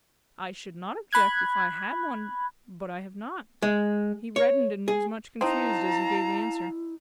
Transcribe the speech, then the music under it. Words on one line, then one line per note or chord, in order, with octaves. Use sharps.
'I should not object, if I had one; but I have not.' He reddened and was much confused as he gave the answer.
B5 F#6 G#6
G#3
C#5
G#4
C4 D#4 E4 F5 A5 A#5